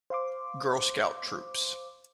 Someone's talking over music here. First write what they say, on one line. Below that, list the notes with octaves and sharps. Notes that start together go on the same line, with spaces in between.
Girl Scout troops.
C5 F5 C6 D6